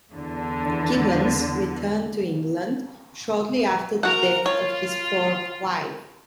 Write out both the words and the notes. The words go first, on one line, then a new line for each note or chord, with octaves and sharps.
Gibbons returned to England shortly after the death of his fourth wife.
E2 D3
F#4 A#4 F#5 A#5
F4 C#5